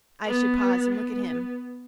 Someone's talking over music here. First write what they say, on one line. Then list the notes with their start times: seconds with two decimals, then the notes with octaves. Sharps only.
I should pause and look at him.
0.25 B3
0.94 B3